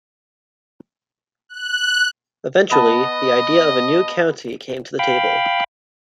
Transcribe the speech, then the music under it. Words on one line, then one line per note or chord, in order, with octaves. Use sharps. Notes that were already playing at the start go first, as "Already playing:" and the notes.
Eventually, the idea of a new county came to the table.
F#6
B3 D#5 A5
F5 G5 B5